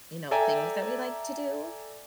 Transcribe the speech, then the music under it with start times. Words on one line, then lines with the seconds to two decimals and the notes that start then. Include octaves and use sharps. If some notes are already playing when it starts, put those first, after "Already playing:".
you know, things that we like to do,
0.31 A4 D5 E5 G5 G#5 A#5